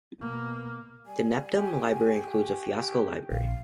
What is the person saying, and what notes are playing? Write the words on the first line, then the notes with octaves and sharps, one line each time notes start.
The Netpbm library includes a Fiasco library.
B2 A#3
G3 G#5
G4
A#1 F5